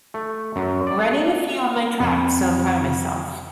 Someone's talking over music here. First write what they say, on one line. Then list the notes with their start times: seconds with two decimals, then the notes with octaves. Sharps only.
running a few on my track, so, I'm proud of myself.
0.14 A3
0.56 F#2
0.87 D5
2.00 F2